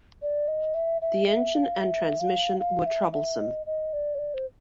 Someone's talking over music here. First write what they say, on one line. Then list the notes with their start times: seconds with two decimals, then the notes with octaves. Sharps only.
The engine and transmission were troublesome.
0.22 D5
0.48 D#5
0.74 E5
1.02 E5
1.27 E5
1.55 F5
1.81 E5
2.20 F5
2.60 F5
2.86 E5
3.12 E5
3.39 D#5
3.66 D#5
3.93 D5
4.15 C#5
4.19 D5
4.34 C5